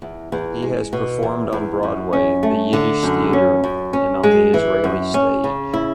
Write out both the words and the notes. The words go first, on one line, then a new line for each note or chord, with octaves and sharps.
He has performed on Broadway, the Yiddish theater, and on the Israeli stage.
E2
E2
G#3
B2
E2
E2
F#2
C#4
A3
D3
F#2
C#4
F#2
C#4
G#3
E3
F#2
C#4
C#3
E4